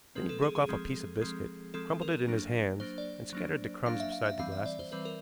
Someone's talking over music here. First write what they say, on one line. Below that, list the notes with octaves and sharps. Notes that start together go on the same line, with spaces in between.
Then he broke off a piece of biscuit, crumbled it in his hands, and scattered the crumbs beside the glasses.
F3 G#3 C4 B4
A4
G#4
G#4
F3 G#3 C4
F3 G#3 C4
F3 G#3 C4 A4
A#4
F#3 A#3 D4
F#3 A#3 D4 C5
D5
F#3 A#3 D4
F#3 A#3 D4 F5
E5
F5
E5
E3 G3 C4 F5
E5
D5
C5
E3 G3 C4 B4
A#4